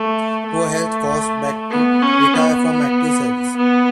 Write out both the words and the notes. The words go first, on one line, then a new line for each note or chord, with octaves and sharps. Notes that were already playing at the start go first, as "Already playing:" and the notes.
Poor health caused Back to retire from active service.
Already playing: A3
A3
B3
C#4
B3
B3